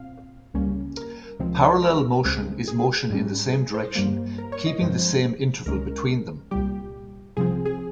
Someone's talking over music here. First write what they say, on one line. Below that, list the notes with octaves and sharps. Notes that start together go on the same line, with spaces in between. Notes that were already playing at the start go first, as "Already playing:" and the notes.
Parallel motion is motion in the same direction, keeping the same interval between them.
Already playing: A#2 C4 F5
C#2 C#3 G3 A#3 C#4
A#4
C#2 C3 F3 G#3 C4
A#4
C#2 C#3 G#3 C4
G#4
G#2 G3 C#4
G#4
C5
G2 G3 A#3
A#4
C#5
D#5
G2 F3 G#3 C4 C5
C#2 C#3 G#3 C#4 A#4
C2 A#2 G3 G4
C2 C3 F3 C4 G#4
G#4